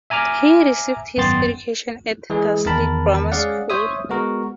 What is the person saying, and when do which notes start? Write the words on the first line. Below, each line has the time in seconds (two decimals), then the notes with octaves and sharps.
He received his education at Dursley Grammar School.
0.10 E5 G#5 A#5 D6 F6
1.17 G#1 F#2 B3 G5 C6 A6
2.30 E3 G#3 G#4
2.66 E2 D#3 A#4 A5 B5
3.32 G#3 C#4 G#4 D5 F5 F#5
3.70 C5 C#5 E5 D#6
4.09 G#3 B3 F#4 A#4